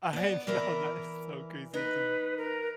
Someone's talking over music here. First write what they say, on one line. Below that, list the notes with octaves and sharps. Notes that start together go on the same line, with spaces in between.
I know, that is so crazy to me.
B3 D5
E3 A#4 B4
D#4 B4
A#4